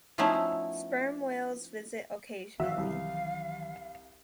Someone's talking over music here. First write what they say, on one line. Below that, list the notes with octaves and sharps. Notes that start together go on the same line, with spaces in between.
Sperm whales visit occasionally.
F3 A3 B3 C#4 D#4 E4
D#3 E3 F#3 F#4 E5 F5 E6
C2